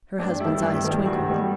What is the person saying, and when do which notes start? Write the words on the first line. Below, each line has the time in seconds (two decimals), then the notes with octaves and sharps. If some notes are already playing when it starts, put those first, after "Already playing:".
Her husband's eyes twinkled.
0.19 G2 D4
0.40 D#3 G3 E4
0.63 G2 E4
0.85 D#3 G3
1.06 G2 F#4
1.28 D#3 G3